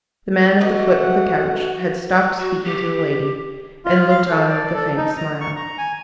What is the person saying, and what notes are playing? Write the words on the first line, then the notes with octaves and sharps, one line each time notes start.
The man at the foot of the couch had stopped speaking to the lady, and looked on with a faint smile.
E3 A3 F#4 D#5 F#5
F#4
G4
F4
F5
A4
D5
A4
D#4
A#5
C#6
A#5
G#5